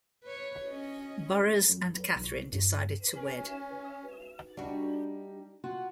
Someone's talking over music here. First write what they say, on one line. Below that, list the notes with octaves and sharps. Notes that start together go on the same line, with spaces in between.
Burroughs and Kathryn decided to wed.
B4 C#5
C#4 D#5
F#2
B1
G2
C#4
G3 D4 D#4 F#4
F4 F#4 F#5